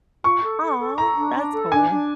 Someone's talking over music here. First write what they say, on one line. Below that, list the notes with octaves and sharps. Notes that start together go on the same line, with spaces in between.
Aw, that's cool.
F4 C#6
A4
A4
A4
A4 A#5
D4
D4
A4
D4 G#5
D4